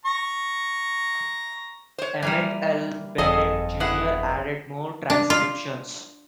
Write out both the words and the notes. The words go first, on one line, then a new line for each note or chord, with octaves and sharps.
Emmett L. Bennett, Junior added more transcriptions.
A#5 C#6
C5 C#5
E3 G3 A#3 G#5
G1 F2 G#4 A4 D#5 G#5
G2 B3 E4 G#4 F#5
D4
F4